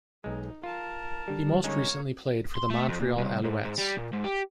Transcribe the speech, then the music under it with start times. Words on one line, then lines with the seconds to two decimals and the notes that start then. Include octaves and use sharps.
He most recently played for the Montreal Alouettes.
0.24 B1 G#3 D#4
0.64 F4 A#4 A5
1.28 D3 G3
1.64 G#3 A#3 C#4 D#4 C#5
2.55 C6
2.70 A3
2.89 F2
3.01 A#2
3.18 C2
3.45 G#2
3.65 G#2
3.79 G3
3.98 A#2
4.13 G#2
4.24 G4